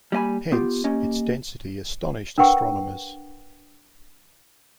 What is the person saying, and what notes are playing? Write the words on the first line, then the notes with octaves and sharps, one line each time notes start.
Hence, its density astonished astronomers.
G3 A#3 D#5 G#5 B5
B3 F4 G4
A#3 C#4 G4 D#5
D4 A#4 B4 F#5 G5 C#6